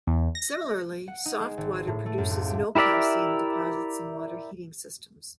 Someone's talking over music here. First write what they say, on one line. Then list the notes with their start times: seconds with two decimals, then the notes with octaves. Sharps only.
Similarly, soft water produces no calcium deposits in water heating systems.
0.07 E2
0.35 A#6
1.08 F#5
1.25 D#4
1.40 G#3
1.57 G#1
1.75 C7
1.87 A2
2.06 A3
2.18 F#2
2.30 C#2
2.47 G4
2.75 E4 G4 A#4 D5 E5